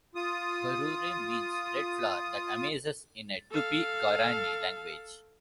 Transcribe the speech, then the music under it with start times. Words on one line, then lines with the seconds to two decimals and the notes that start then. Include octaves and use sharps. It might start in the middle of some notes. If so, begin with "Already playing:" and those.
"Barueri" means "Red flower that amazes" in a Tupi-Guarani language.
0.15 F4 D#6
3.51 A4 F5